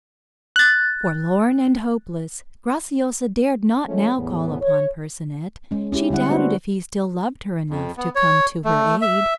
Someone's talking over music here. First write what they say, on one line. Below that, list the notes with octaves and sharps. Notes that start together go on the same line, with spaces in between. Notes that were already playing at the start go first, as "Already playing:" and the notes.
Forlorn and hopeless, Graciosa dared not now call upon Percinet; she doubted if he still loved her enough to come to her aid.
F#6 A6
F3 G#3 A3 C#4
E2 A2 B3
C#5
G#3 C#4
C#4 E4 G4
D3 G3 E4 F#5
A3 B3 D4 F#4 C5
F2
B3
C#5
A3
E5